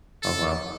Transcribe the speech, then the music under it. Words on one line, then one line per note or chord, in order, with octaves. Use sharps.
oh, wow."
A4